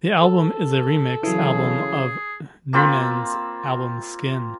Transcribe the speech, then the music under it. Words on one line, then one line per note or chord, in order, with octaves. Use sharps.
The album is a remix album of Noonan's album "Skin".
A4
C#3 E3 F#3 G#4
A#3 C4 F4 B5